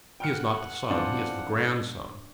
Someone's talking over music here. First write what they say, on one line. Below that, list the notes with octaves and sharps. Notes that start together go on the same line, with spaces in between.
He is not the son; he is the grandson.
F#5 G5 F6 C#7
E3 C4 D4 F4